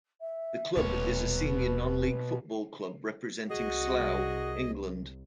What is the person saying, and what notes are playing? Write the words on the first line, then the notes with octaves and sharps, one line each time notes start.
The club is a senior non-League football club representing Slough, England.
E5
D#1 B2 A3 B4 C#5
C2 F#4 G#4 D#5